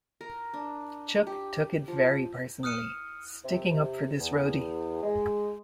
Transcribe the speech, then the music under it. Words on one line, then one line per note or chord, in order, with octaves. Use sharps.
Chuck took it very personally, sticking up for this roadie.
A#4
D4
G4
F3
D#6 F6 F#6 C#7 D#7
C3
C3
E2
G#3